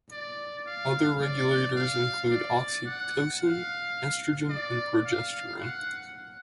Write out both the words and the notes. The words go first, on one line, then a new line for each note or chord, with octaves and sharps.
Other regulators include oxytocin, estrogen and progesterone.
D5
F5
D5
F5
D5
F#5
F5
D5
F5
F#5